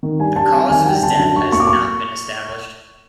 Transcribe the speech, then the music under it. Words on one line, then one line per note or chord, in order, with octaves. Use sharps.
The cause of his death has not been established.
D#3
G2 G#5
G3 A5
C4 G#5
D#3 G#5
G2 G5
D3 A5
F#2 A5
F#3 C#6
A#3 C#6
D6
C#6